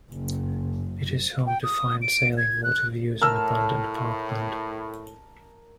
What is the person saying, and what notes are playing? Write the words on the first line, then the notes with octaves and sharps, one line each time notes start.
It is home to fine sailing, water views and abundant parkland.
F#1
G5
D#6
D7
G#6
F#6
A2 A#4 A5 E6 F6